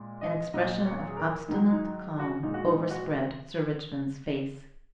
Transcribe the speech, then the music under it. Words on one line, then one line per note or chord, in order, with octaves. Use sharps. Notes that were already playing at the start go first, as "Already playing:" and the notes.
An expression of obstinate calm overspread Sir Richmond's face.
Already playing: A#2 G#3
D#5
A#2 F#3 D#5
C#5
G#4
A#4
G#2 D#3 F#3 D#4
D#4
F#4
A#2 G#3 D#4
F#4
D#4
F#4